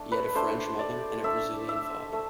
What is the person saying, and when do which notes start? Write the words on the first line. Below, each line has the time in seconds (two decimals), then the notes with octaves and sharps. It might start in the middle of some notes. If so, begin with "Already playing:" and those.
He had a French mother and a Brazilian father.
Already playing: A3 D4
0.12 B4
0.35 A3 D4 C5
0.79 D5
1.24 A3 D4 E5
1.68 E5
2.13 A3